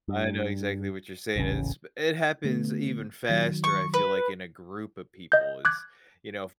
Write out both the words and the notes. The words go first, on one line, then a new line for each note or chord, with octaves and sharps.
I know exactly what you're saying. It's b it happens even faster, I feel like, in a group of people. It's you know, if
G2
D#1 A1 C#3
D3 A3 B3
D#3 F#3
C#6
B4
D#5 G6
D6 F#6 G#6